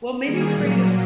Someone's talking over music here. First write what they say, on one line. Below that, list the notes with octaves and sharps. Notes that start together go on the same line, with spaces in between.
Well, maybe create a
D#3 G3 A#3 G#4
A#2 F#3 A#3